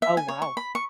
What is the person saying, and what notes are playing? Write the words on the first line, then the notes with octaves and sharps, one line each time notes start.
Oh, wow.
E5
G#5
C#5
C#6
B5
C#6